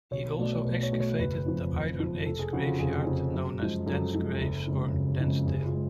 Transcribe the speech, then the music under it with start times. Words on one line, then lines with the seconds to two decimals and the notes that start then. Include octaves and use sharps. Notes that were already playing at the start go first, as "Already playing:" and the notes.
He also excavated the Iron Age graveyard known as Danes Graves, or "Danesdale".
0.11 B1 C#5
0.38 B2 A3 D5
0.53 C#5
0.64 B1 B4
0.83 C#5
0.92 B2 A3
1.00 C#5
1.19 F#1 B4
1.46 F2 F3
1.73 F#1
2.00 F2 F3
2.26 F1 A4
2.39 G#4
2.53 F2 C#3 F#4
2.66 F4
2.79 F1 G#4
3.07 F2 C#3
3.34 F#2
3.59 F3 G#3
3.86 F#2 A4
4.14 F3 G#3
4.40 F#1
4.67 F2 C#3 G#3
4.94 F#1
5.20 F2 C#3 G#3
5.47 F#1 G#4
5.65 F4
5.74 G#3